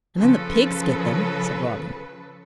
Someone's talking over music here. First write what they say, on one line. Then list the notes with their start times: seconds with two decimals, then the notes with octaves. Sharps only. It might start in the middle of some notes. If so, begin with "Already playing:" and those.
"And then the pigs get them," said Robin.
0.19 C#3 F3 A4 B4